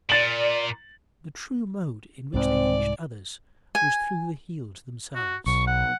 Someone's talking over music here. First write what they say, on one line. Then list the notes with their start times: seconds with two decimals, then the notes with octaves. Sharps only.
The true mode in which they reached others was through the healed themselves.
0.10 A#2 D5 A6 F#7
2.34 C2 G#2 C4 D5
3.75 G#5
5.15 F#4
5.46 B1 C#6
5.67 F#5